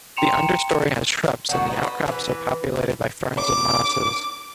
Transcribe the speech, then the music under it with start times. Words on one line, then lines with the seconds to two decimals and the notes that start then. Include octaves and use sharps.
The understory has shrubs and the outcrops are populated by ferns and mosses.
0.17 G5 A#5 C6 C#7 E7 F7
1.49 D3 D#3 F#4
1.70 B4 D#5
2.08 E3 B4
3.39 D6